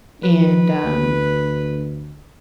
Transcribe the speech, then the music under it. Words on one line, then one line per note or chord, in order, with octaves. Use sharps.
and, um
F3 B4
D2